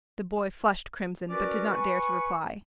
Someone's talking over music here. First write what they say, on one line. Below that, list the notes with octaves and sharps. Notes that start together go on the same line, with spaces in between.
The boy flushed crimson but did not dare to reply.
C#4 F#4 A#4 B4 D5
B4 G#5 B5 C#6